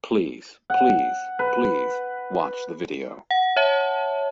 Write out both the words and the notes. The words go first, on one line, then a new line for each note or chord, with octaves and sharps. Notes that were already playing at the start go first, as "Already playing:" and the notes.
Please, please, please, watch the video.
F#5
B4
F#5
C#5 E5 A5